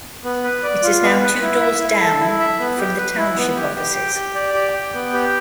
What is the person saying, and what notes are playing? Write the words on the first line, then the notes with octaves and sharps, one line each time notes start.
It is now two doors down from the Township offices.
B3
B4
D5
F4
B3
B4
E4
E5
E4
A4
E4
E5
B3
G4
B4
E4
B3
G4
G4
G5
G4
D5
G4
G5
B3
G4